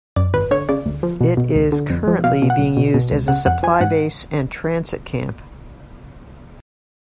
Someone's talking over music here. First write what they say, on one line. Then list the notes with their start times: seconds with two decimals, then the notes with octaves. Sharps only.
It is currently being used as a supply base and transit camp.
0.16 F#2 D5
0.34 G#1 B4
0.51 D3 C#5
0.69 C#3 D5
0.86 D2
1.03 F3
1.21 B2
1.37 B2
1.55 C#2
1.72 D3
1.90 F2
2.08 F3
2.24 B2 F5
2.42 B2
2.50 F#5
2.59 B1
2.77 B2
2.94 B2
3.12 C#2
3.28 C#3 F#5
3.46 F2 F#5
3.63 F3 G#5
3.80 G#2 F#5